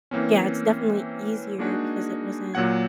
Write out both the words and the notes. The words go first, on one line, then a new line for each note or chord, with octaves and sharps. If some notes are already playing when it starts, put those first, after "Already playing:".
yeah, it's definitely easier because it wasn't,
E3 A#3 C4 C#4
G#3 A#3 D4 D#4 F#4 G#4
A#2 F#3 A#3 F#5 G#6